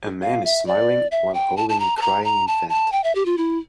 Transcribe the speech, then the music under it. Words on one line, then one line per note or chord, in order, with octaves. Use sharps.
A man is smiling while holding a crying infant.
F5
E5
D5
E5
G5
A5
A5
A#5
A5
A#5
A#5
A5
A5
G5
E5
G4
F4
E4